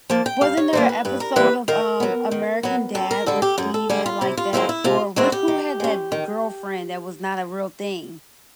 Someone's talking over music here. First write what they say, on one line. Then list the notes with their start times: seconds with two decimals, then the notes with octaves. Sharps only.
W wasn't there a episode of, um, American Dad where Steve had, like, that or which who had that girlfriend that was not a real thing?
0.10 F3 A#3 A5
0.26 G5
0.41 G2 F5
0.57 C#5
0.73 E3 G3 A#3 C5
0.89 B4
1.05 G2 B4
1.20 A#4
1.36 E3 G3 A#3 B4
1.68 D#3 A#4
2.00 F#3 B3
2.31 D#3
2.63 F#3 B3
2.95 F#2 A4
3.11 A#4
3.26 D3 G3 A4
3.42 G4
3.58 F#2 G#4
3.74 A4
3.90 D3 G3 G#4
4.06 F4
4.21 C3 E4
4.37 F4
4.53 D#3 G#3 C4 E4 F4
4.69 E4
4.84 C3 F4
5.16 D#3 G#3 C4 E4 F#4
5.32 G4
5.48 D#3
5.80 G#3 C#4
6.12 D#3